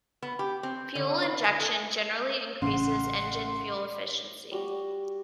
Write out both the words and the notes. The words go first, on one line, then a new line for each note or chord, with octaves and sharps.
Fuel injection generally increases engine fuel efficiency.
B3
G4
C4
D3
B3
G#5
A4
A1 C#3 F#5 C6
G3 F#4 D5